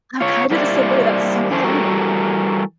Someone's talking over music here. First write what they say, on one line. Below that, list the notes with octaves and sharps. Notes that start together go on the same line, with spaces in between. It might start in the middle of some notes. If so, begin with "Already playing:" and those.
I'm, kind of, the same way. That's so funny,
F4 C#5
G3 A#3 E4 C5 D5
F#2 D3 E3 C#4 D4 C5
E3 G3 F#4 A4 A#4